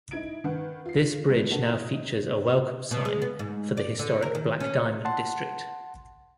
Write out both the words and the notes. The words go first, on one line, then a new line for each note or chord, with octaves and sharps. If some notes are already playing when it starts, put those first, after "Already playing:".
This bridge now features a welcome sign for the historic 'black diamond' district.
D#4 E4 G#6 D7
D#3 B4 F#5
F4 C7
B2 F#3 G#3 B3 D4
A#3 D4 F#4 A4
E4 D#5
B2
G#3
B3
G#2
D5
D3
A#4
D#3
C#4
F#5 A5 C6